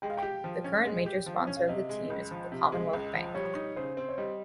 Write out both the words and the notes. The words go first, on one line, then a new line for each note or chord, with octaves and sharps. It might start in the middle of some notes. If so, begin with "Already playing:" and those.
The current major sponsor of the team is the Commonwealth Bank.
G#3 G5
F5
G5
G4
F3
C#4
G#3
G4
F3
C#4
F5
C3 D#5
G#3
C#2
F3
C3
G#3
C#2
F3
G3 C#5
D#4
C#3 C5
C4
C#5
G3 D#5